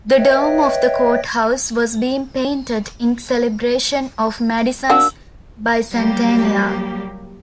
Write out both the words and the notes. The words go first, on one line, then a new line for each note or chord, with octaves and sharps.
The dome of the courthouse was being painted in celebration of Madison's bicentennial.
B4 C#5 D#5 E5 G5
A#3 D4 F#4 E6
F#3 G3 A#3 G4